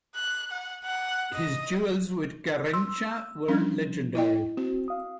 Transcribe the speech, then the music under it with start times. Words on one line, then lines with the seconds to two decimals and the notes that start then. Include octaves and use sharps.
His duels with Garrincha were legendary.
0.15 F#6
0.51 F#5
0.85 F#5
1.34 D#5
2.74 C6 E6
3.48 F3 G3 C#4 D4
4.15 E4 D#5 G5
4.57 C4 F#4
4.88 F5 D#6